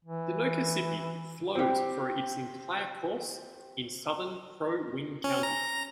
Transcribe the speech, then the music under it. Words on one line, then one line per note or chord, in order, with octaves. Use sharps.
The Nokasippi flows for its entire course in southern Crow Wing County.
E3
C4 G4
C#4
A#5